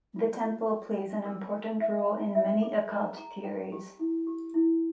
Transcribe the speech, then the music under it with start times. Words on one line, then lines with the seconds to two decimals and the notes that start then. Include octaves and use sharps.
The temple plays an important role in many occult theories.
0.16 F4
0.43 F4
0.71 G5
0.98 G5
1.25 A#4
1.53 A#4
1.81 E5
2.08 A#5
2.35 E5
2.62 G#4
2.90 A#5
3.17 A#5
3.44 G5
3.72 G4
3.99 E4
4.27 G4
4.54 E4